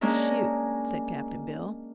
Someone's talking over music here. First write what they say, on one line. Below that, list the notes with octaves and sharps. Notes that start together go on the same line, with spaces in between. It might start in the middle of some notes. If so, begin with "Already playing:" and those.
"Shoot," said Cap'n Bill.
G#3 A#3 C#4 D4 A#4